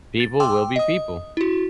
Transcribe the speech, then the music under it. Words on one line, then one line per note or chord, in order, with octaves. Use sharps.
People will be people."
A6
G5 C6 D6 E6
D#5 D#6
E4 F#4